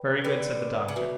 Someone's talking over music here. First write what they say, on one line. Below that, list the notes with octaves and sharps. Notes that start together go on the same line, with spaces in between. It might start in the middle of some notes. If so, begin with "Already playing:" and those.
"Very good!" said the doctor.
Already playing: B4 D5 G5 B5
D3 B4 D5 G5 B5
C#3
B2 F#4 B4 E5